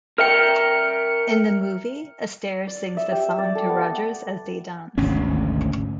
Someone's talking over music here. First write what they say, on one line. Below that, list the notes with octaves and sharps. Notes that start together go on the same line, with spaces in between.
In the movie, Astaire sings the song to Rogers as they dance.
A#4 E5 G5 F6 C#7
D5
E5
G4
D5
A4
B3
G#1 D2 C3 C#4